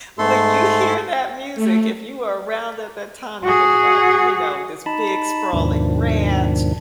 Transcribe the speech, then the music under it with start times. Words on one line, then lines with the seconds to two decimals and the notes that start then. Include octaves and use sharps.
When you hear that music, if you were around at that time, you think about, you know, this big sprawling ranch,
0.18 G#2 A3 A4 C6
1.55 A3
3.44 F#4 G#4
4.86 D#4 A5 B5
5.53 D#2 G#2 B2 D#3 F3 D4